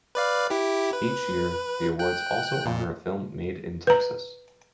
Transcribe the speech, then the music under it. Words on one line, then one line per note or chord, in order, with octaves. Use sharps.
Each year, the Awards also honor a film made in Texas.
B4 D5 F5
E4 G4
B4
G5 F#6
A#2
B4 A#5